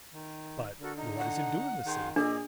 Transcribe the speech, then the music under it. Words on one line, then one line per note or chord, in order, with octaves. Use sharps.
But what does it do in the sea?
D#3
D3 F#4 A4 A#4
D#4 A#5
F#5
D#3 G#4 C6 G6
A#2 D4 G#4 D#5 D6 E6